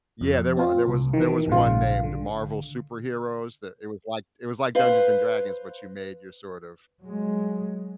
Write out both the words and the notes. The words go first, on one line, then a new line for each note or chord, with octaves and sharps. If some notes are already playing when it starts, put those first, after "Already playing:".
Yeah, there were there was there was one named Marvel Superheroes that it was like it was like Dungeons& Dragons, but you made your sort of
F2
C4 F4
C2
D#3 E3
A#1 G#2 C#3 F4
D3
B4 C5 F5
F#3 G#3